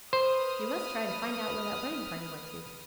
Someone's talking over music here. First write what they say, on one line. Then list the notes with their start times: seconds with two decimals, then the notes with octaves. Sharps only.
"You must try to find out where that wedding-party went to."
0.13 B4 C5 D#6 F6